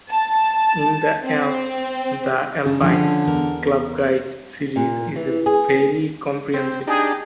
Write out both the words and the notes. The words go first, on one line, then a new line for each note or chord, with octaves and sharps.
In the Alps the Alpine Club Guide series is very comprehensive.
A5
C4
C#3 D4
D3 F3 C#4
E2 A#4
A#2
E3
G#4
C4
D4 D#4 G4 G#4